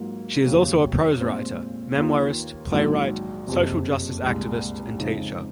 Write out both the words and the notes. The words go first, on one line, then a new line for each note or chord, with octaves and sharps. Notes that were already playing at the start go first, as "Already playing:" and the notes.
She is also a prose writer, memoirist, playwright, social justice activist and teacher.
Already playing: G#2 F#3 A#3 F4
F1 D#2 C#3 F#3
A#2 G#3 C4
D#2 D#3 A#3 F4
A#1 G#2 D#3 F#3
F#1 F2 C3
C2 A#2 G#3
F2 C#3 G#3 D#4